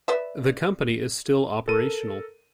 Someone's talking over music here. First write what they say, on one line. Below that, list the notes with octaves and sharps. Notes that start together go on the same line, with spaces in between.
The company is still operational.
B4 D5 E5
A4 A#4 D#7